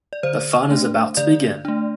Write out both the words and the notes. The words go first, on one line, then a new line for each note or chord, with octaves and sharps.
The fun is about to begin.
D5
D3 C5
A3 D4
D3 D5
A3 D4